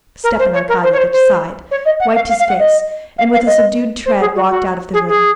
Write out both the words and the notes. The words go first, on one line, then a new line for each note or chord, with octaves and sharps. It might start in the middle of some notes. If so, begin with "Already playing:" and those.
Stepan Arkadyevitch sighed, wiped his face, and with a subdued tread walked out of the room.
A#4
C5
C#5
A#4
C5
C#5
C5
C5
C#5
D#5
F#5
F5
F5
F5
F#5
D#5
F5
F5
D#5
C5
G#4
F#4
F#4
G#4
G#4